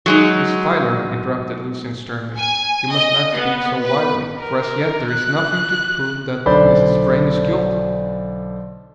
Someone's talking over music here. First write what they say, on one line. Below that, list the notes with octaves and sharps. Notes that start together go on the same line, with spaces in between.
"Miss Tyler," interrupted Lucian sternly, "you must not speak so wildly, for as yet there is nothing to prove that Mrs. Vrain is guilty."
F#3 G#3 D#4
G#5
D#5
B3
B4
A#4
F#6
B1 D3 C5 D5 B5 G6